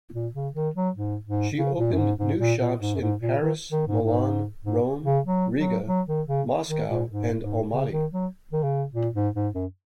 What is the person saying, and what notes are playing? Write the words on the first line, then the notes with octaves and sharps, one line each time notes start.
She opened new shops in Paris, Milan, Rome, Riga, Moscow and Almaty.
A#2
C#3
D#3
F#3
G#2
G#2
C#3
A#2
F#2
G#2
G#2
A#2
A#2
G#2
F#2
G#2
A#2
D#3
D#3
G#2
G#2
G#2
C#3
F#3
F#3
F#3
D#3
C#3
D#3
A#2
G#2
G#2
C#3
D#3
F#3
D#3
C#3
A#2
G#2
G#2
F#2